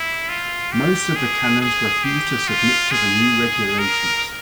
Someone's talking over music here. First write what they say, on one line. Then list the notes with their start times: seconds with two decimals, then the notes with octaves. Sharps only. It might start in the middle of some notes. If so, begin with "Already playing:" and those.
Most of the canons refused to submit to the new regulations.
Already playing: E4
0.29 F4
0.73 G4
1.16 G#4
1.61 G#4
2.04 G4
2.48 F4
2.91 G#4
3.79 A#4